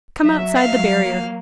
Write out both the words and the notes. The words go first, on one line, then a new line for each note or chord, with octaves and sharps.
Come outside the barrier.
F#3 E5
F5
A#3